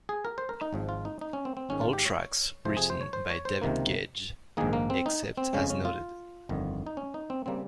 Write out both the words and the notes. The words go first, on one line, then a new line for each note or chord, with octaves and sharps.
All tracks written by David Gedge except as noted.
G#4
A#4
C5
A#4
D#4
G#1 G#2 F3
F4
D#4
D#4
C#4
C4
C4
G#1 G#2 D#3 C#4
F4
G4
C#5
F2 C3 F3 C5
G#4
C5
C#5
C5
C#5
C5
C#2 C3 D#3 A#3
A#1 G#2 D#3 A#3 G#4
A#3
C4
D#4
C4
F2 C#3 G#3 C#4
C#4
F4
G1 F2 D#3
D#4
C#4
D#4
C4
C#3 G3 A#3 C4